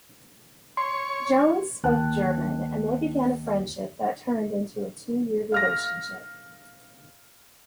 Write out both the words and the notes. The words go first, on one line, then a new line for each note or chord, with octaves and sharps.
Jones spoke German and they began a friendship that turned into two-year relationship.
C#5 C6
D2 D#3 A#3 G5 A5 F#6
F5 F6 A#6